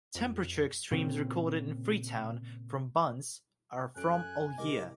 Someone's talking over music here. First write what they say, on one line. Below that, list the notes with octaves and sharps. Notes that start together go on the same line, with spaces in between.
Temperature extremes recorded in Freetown from Bunce are from all year.
F2
A#2 C#3 C4
F#2 A4 G#5 F#6 D7
C2 G4 A#4 D#5 D6